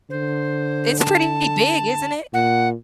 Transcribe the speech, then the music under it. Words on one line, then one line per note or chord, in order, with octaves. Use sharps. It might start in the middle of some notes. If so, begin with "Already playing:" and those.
It's pretty big, isn't it?
D3 C5
A5
A#2 F#5